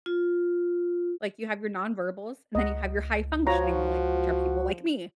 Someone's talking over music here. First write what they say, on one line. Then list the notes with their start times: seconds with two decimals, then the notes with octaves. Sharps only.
Like you have your nonverbals, and then you have your high functioning, like which are people like me.
0.06 F4
2.55 C#2 D#5 F#5
3.47 F3 F4 F#4 C#5 A#5